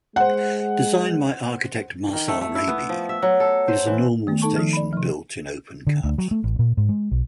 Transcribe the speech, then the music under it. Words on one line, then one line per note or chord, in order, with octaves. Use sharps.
Designed by architect Marcel Raby, it is a normal station built in open cut.
G#3 C5 F#5
D#3
A3
A3
E4
B3
F3
E5
F#3
A4
C5
E3
D#3 A3 B3
D#4 A4 A5 C#6
D#3 F3
D5 B5
C3 F3
D3
D2
F#3
A3
A1
A#2
G#2
G#3
B1